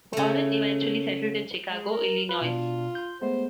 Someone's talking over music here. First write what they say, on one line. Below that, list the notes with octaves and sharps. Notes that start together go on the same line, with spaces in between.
Warren eventually settled in Chicago, Illinois.
C#3 A3
G#3
A#4
F4 B4
B2 D4
C6 G6
G#3 A3 B3 C5